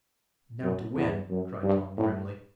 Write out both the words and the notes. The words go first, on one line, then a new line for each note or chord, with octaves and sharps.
"Now to win!" cried Tom, grimly.
F#2
E2
F#2
G2
A2